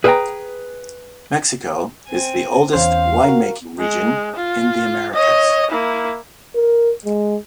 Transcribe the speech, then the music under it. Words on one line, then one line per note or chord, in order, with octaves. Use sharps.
Mexico is the oldest wine-making region in the Americas.
G#4 B4 C5 E5 G5 A#5
C4 G#5
E2 C#4 C5 F5
F#4 A#4
G#3
F4
C#5 D#5
A#3 E4
A#4
G#3